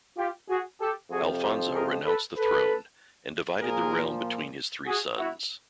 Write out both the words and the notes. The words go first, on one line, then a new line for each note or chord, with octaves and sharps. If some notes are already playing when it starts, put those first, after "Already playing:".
Alfonso renounced the throne and divided the realm between his three sons.
F4 G4
F#4 G#4
G4 A4
F2 C3 F3 F#4 G#4
G4 A4
G#4 A#4
A4 B4
A4 B4
A#2 F3 G#4 A#4
F#4 G#4
E4 F#4